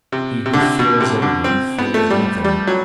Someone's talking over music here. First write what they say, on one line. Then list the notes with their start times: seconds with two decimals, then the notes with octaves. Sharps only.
He who fears everything fears nothing.
0.12 C3
0.46 C3
0.53 D3
0.61 C3
0.79 B2
1.00 C3
1.22 D3
1.44 C4
1.78 B3
1.94 A3
2.10 G3
2.44 G3
2.67 F#3